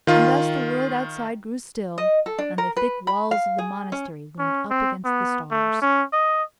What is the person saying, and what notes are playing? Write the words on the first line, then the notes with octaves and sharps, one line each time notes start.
And thus the world outside grew still, and the thick walls of the Monastery loomed up against the stars.
D#3 F4
D#5
A4
D4
A#4
B4
B5
F5
G#4
C#4
C#4
C4
B3
A3
C#4
D#5